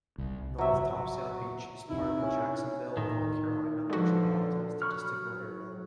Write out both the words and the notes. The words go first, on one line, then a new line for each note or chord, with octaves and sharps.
North Topsail Beach is part of the Jacksonville, North Carolina Metropolitan Statistical Area.
C2
F#3 E5
C3 D#4 E4
C#4
A2 D#3
F2 B2 D3 F3 G#3 F#4
F#3 B5 C#6 F6